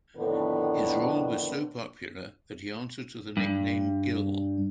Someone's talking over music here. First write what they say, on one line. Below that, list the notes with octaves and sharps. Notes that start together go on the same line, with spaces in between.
His role was so popular that he answered to the nickname "Gil".
F2 A2 D3 D#3 B3 B4
G2